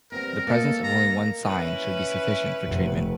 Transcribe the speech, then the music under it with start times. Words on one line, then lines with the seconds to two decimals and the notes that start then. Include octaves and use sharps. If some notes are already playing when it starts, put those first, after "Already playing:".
The presence of only one sign should be sufficient for treatment.
0.12 G3 B3 C4 A#4
0.47 A#3 A4 D#5
0.83 A#5
1.43 C#4 E4 B4
2.66 F1